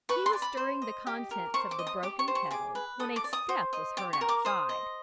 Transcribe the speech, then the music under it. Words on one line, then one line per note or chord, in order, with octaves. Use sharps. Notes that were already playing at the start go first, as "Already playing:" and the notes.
He was stirring the contents of the broken kettle when a step was heard outside.
B4 C#6
C6
D5
B5
C5
D#5
G4
A#4
C5 C#6
D6
D#5
D#6
G4 D6
C#6
C5
C#6
G#4 D6
B4
A4 D#6
D6
D5
D#6
C5
D#5
G4 D6
C#6
A#4
D6
C5 D#6
D#5